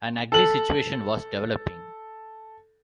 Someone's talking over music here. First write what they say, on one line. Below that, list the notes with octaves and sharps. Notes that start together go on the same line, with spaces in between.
An ugly situation was developing.
A4 F#7